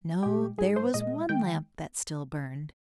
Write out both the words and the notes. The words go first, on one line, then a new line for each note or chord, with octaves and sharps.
No, there was one lamp that still burned.
A#2 G#3 G4
G#2 G3 G#4
C5
A#2 G#3 D#5
D#3 G#3 G5